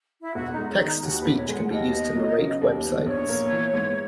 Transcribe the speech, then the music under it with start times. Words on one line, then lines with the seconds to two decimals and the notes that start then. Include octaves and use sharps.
Text to speech can be used to narrate websites.
0.23 E4
0.35 E1 F#4
0.53 D#4
0.58 G#3
0.69 C#4
0.81 D#3 E4
0.87 D#4
1.03 D#2 F#4
1.21 E1 B4
1.37 C#5
1.46 G#3 G#5
1.54 F#5
1.70 D#2 D#5
1.93 B3
2.16 F#3
2.38 C#3
2.61 D#2
2.84 B3
3.06 A#1 C#5
3.29 A#3
3.52 E3
3.74 G#2